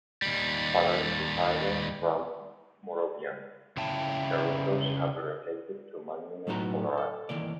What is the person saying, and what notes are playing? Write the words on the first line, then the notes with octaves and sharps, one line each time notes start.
Following retirement from Moravian, the Rokkes have relocated to Monument, Colorado.
D#2 G3
C#3 E4 G5 A5
A2 F#3 B3 D#4 F#4 A#5
A4
D#3 E3 A#3 D5